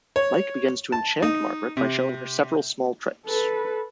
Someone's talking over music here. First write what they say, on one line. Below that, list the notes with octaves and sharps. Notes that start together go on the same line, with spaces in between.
Mike begins to enchant Margaret by showing her several small tricks.
C#5
A5
D#4
C3
A4 B4